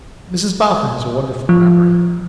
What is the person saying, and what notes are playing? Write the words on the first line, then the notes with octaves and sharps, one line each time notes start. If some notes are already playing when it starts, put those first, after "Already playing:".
Mrs Boffin has a wonderful memory.
F3